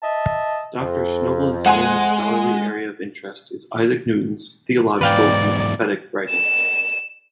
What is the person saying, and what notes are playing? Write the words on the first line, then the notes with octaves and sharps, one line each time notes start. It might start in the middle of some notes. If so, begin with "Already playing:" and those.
Doctor Snobelen's main scholarly area of interest is Isaac Newton's theological and prophetic writings.
D#5 E5 A5
F2
G#3 F#5 G#5 C6
E2 G#2 B4 D5 F5 G5
E7